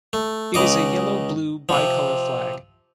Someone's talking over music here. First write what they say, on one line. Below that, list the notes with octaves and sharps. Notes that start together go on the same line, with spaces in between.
It is a yellow-blue bicolor flag.
A3
C#2 C#3 D#5 D6
C3 F3